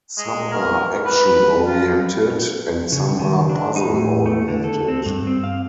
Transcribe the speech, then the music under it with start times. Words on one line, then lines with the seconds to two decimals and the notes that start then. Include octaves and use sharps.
Some are action-oriented and some are puzzle-oriented.
0.18 G#3
0.52 A#4
1.05 B4
1.67 F4
2.92 C#3
3.19 D#3
3.49 D4
3.76 D#4
3.88 A2
4.26 A3
4.48 D3
4.64 A4
4.88 C4
5.06 G2
5.27 C4
5.44 F5